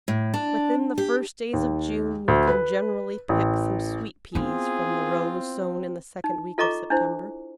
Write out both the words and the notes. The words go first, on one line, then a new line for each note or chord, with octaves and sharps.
Within the first days of June we can generally pick some Sweet Peas from the rows sown in the second week of September.
A2
D4
G4
D#2
D2
B4
A1
B3 C4 E4 F4 G#4
D#4
F4 A4 D#5 A#5 C#6 D6
D4 E4 C5